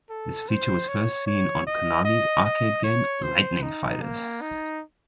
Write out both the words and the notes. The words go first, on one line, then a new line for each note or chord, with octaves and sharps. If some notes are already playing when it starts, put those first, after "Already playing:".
This feature was first seen on Konami's arcade game, "Lightning Fighters".
A4
C5
C#5
C#5
D#5
D#5
D#5
C#5
C5
D#4
A#3
D#4